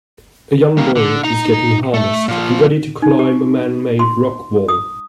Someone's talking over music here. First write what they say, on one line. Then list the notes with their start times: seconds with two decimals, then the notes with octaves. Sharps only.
A young boy is getting harnessed and ready to climb a manmade rock wall.
0.77 G3 A#3
0.96 D3
1.24 D#4 A#5
1.94 A3
2.28 A#2 F3
3.02 D#4
3.19 G4
3.99 C6
4.68 D#6